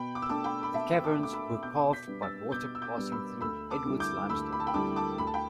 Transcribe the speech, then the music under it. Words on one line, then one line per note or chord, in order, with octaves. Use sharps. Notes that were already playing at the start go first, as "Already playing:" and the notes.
The caverns were carved by water passing through Edwards limestone.
Already playing: B2 G5 B5
D6
E6
A3 D4 A5 D6
G5 B5
B5
B2 E5 A5
A5 D6
A3 D4 D6
B5 E6
B2 D6 G6
G6 B6
G3 B3 D4
E6 A6
B2 D6 G6
E6
D6 G6
G3 B3 D4
B5 E6
D2 B5 E6
A5 D6
D3 G3 E4
D6 G6
D2 B5 E6
B5
A5
G5 B5
D3 G3 E4 A5 D6
A5 D6
D2 B5
A5
G5 B5